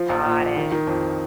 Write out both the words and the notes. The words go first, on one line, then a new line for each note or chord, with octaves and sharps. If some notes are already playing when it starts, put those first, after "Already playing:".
Got it.
Already playing: F3
A#1
A#2
A#1
D#3
D#3
F2